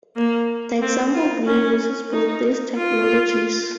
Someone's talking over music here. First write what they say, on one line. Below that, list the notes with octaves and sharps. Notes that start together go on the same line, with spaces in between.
The example below uses both these technologies.
A#3
C4
F4
C#4
D#4
F4